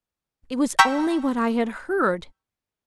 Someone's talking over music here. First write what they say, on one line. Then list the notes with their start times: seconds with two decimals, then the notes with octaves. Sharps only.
It was only what I had heard.
0.79 G5 A#5 C#6 E6 G6 B6